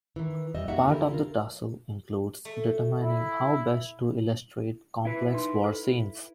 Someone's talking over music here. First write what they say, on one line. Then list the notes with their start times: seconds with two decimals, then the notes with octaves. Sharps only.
Part of the tussle includes determining how best to illustrate complex war scenes.
0.16 D#3 E3
0.55 F2 G3 D#5 E5
0.68 A#3 D#4 F#4 G4 E5 F#5
0.87 D3 D#3 E4 G4 A#4
1.11 F4 A#4
2.45 A3
3.01 E4
5.05 E4 B4
5.35 D#4 C6
5.64 A4